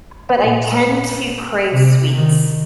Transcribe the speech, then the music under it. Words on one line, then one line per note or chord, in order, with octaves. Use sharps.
but I tend to crave sweets.
A#2
C3
D#3